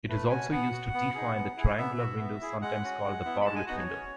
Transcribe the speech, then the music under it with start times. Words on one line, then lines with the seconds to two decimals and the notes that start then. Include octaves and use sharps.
It is also used to define the triangular window sometimes called the Bartlett window.
0.09 A3 B4
0.30 C#4 F#4 G#5
0.51 B3 F#5
0.72 F#4
0.94 B3
1.14 D#4 G#4
1.35 B3
1.57 E4 G#4
1.78 B3 E5
1.98 F#4
2.19 B3
2.41 E4 G#4
2.61 G#3 F#5
2.83 C#4 F#4
3.04 G#3
3.25 B3 E4
3.41 B5
3.45 G#3 A5
3.56 G#5
3.67 B3 D#4 F#4 F#5
3.77 C#5
3.88 C#4